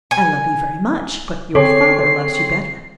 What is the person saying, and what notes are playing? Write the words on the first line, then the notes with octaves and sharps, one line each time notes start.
"I love you very much, but your father loves you better."
G#5
D3 C4 G#4 A4 C#5 C7